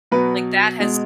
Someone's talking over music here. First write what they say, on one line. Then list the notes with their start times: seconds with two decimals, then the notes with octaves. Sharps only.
Like, that has
0.11 B2 F#3 B4
0.80 B2 G#3